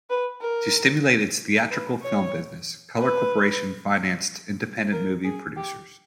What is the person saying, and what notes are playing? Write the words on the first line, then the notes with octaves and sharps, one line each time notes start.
To stimulate its theatrical film business, Color Corporation financed independent movie producers.
B4
A#4
B4
C#5
B4
A#4
G#4
G4